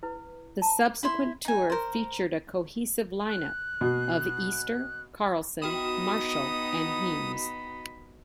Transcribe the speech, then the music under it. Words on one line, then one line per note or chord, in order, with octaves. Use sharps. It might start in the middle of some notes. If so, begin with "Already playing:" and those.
The subsequent tour featured a cohesive lineup of Easter, Carlson, Marshall and Heames.
E4 B4
A5 A#5
E4 E5 C6
D#4 G#5
A#4 C5
F#6
B2
B3 D#4 F#4 D#5 G5 B5 D#6 E7